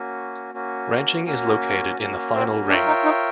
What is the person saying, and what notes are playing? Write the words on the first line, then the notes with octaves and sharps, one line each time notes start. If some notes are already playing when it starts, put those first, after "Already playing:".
Ranching is located in the final ring.
Already playing: A#3 C#4 F#4
A#3 C#4 F#4
A#3 C#4 F#4
A#3 C#4 F#4
C4
D4 F4 A#4 C#5 E5 G5
D#4
D#4